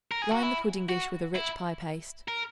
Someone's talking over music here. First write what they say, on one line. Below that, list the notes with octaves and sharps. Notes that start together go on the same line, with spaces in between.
Line the pudding-dish with a rich pie-paste.
A#4
G#4
F#4
E4
F#4
E4
A#4